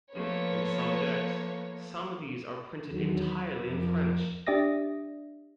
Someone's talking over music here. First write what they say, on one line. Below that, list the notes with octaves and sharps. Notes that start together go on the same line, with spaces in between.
In some decks, some of these are printed entirely in French.
F3 A3 A#3 B4 C#5
E2 D#3 F#3
B5
F2 F3 A#4 D6
D4 G4 D5 E5 D#6 A#6